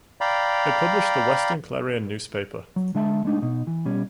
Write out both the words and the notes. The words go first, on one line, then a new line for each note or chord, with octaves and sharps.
It published the "Western Clarion" newspaper.
D5 F5 G5 A#5 B5
F#3
D3 G#3 E5 A5
G#3 A3 D4 D#4
B2 D#4
E3
B2 G3 C#4